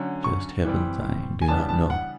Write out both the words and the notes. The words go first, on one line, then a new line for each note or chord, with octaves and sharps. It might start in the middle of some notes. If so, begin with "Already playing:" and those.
Just Heavens, I do not know.
Already playing: D3 F#3 A3 C#4
C#6
E3 G3 C4
G#5
C#3 E3 G3 B3 D4 A5
A5
F#5